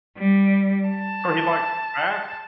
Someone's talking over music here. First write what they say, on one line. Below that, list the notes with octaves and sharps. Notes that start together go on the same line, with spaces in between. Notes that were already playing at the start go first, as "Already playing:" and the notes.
So, he likes baths?
G3
A5